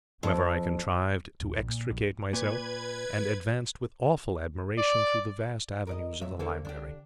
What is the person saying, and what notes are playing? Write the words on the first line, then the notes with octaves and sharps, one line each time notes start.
However, I contrived to extricate myself, and advanced with awful admiration through the vast avenues of the library.
F2
D#1
A#1
A#2
A#1
A#2 B4 G#6
D5
A#4 D5 D#5
A#2 F#3 E5
D3 A#3 C4 A4
D4 G4